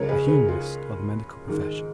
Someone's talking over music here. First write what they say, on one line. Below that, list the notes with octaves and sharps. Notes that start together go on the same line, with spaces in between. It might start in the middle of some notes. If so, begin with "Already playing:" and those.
The humorist of the medical profession.
Already playing: C#2 C#3 G#3 A#4 C#5
G#4 B4
G#4 B4
F4 G#4
G#2 D#3 G#3